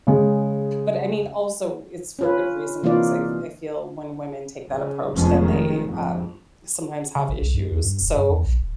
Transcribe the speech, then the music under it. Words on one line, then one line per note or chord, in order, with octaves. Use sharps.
but, I mean, also, it's for a good reason because I f I feel when women take that approach, then they, um, sometimes have issues, so
C#3 G#3
C#4 F4 B4
C3 E3 A#3 D#4 F4 D5
C#3
F1 F2 F3 G#3 B3 C#4
D#3
F2 G#2
C#3
G#1
C2
G2
E2
G2
E1
G2
E2
A#1
D1